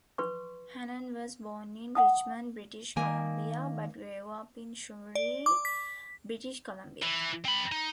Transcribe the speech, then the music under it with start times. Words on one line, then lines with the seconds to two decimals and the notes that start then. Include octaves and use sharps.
Hannan was born in Richmond, British Columbia, but grew up in Surrey, British Columbia.
0.18 B4 C6 C#6
1.95 F#5 A5 D#6
2.96 D#3 A#3 G#5
5.15 D5
5.46 D6
5.65 B6
7.02 E3
7.45 C4 B5
7.72 D#4